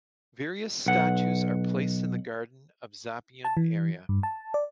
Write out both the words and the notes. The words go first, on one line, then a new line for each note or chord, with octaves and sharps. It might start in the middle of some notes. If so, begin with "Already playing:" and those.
Various statues are placed in the gardens of Zappeion area.
B1 F#5
A5
E3
G2
A5
D5